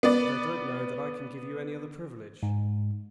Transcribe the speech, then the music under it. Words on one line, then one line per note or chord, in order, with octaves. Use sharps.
"But I don't know that I can give you any other privilege."
B3 D5
G#2